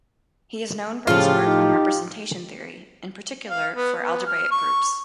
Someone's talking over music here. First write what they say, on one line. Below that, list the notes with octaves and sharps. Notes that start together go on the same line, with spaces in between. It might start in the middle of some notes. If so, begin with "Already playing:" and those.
He is known for his work on representation theory, in particular for algebraic groups.
A2 C#3 F3 F4 G4 A4
D#4
F5
B3
B3
F6
C#6